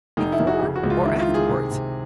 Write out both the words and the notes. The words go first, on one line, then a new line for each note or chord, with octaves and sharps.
"Before, or afterwards?"
F1 D#4
E4
F1
F#4
C#3
F#4
C#2
F4
D#3 E4
F4
D#3
G#4
C3
C3